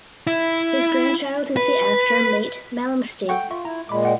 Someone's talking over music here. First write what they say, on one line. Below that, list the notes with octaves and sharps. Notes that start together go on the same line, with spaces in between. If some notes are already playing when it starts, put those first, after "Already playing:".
His grandchild is the actor Mait Malmsten.
E4
B4
A4 F#5 G5 C#6
F4 E5 C#6
E4 A#5
A#2 G#3 B5 D6
D5 F#5 G5